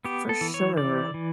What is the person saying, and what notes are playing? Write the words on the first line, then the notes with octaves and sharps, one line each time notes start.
For sure.
B3 G4
A4
E3
C#5
E3 D5
E3